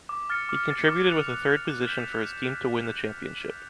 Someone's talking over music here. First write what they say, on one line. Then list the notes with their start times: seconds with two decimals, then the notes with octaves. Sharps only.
He contributed with a third position for his team to win the championship.
0.09 D6
0.30 F6 A6 C#7
0.49 D6
0.68 F6 A6 C#7
0.88 D6
1.07 F#6 A6 C#7 F7
1.27 D6
1.46 F#6 A6 C#7 F7
1.65 D6
1.86 G6 B6 E7